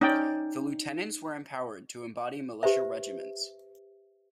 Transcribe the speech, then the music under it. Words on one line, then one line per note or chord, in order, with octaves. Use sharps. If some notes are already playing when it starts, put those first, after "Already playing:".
The lieutenants were empowered to embody militia regiments.
C#4 D#4 D5 G5
G4 B4 C5 E5